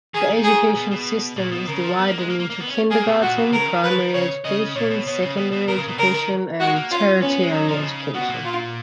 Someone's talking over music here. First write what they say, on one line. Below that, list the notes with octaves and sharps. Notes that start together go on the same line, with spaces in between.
The education system is divided into Kindergarten, primary education, secondary education and tertiary education.
D#3 G#4
D#3
G#4
B2
B2
A#2
B2
C#3 A#4
F3
B3
A#3
G#3
A#3
A#3
A#3
B3
C#4
A#3 G#4
B2
A#2 F#4
B2
C#3 A#4
D#3
F3 B4
D#3
C#3 C#5
C#3 D#5
A#2 C#5
B2
B2 C#5
C#3
B2
B2
B2 A#4
C#3
B2
C#3 A#4
D#3
G#3 F#4
A#3
C#4 F4
B3 C#4
B3
G#3
F#3 D#4
F3
B2
C#3
B2 F#4
A#2
F4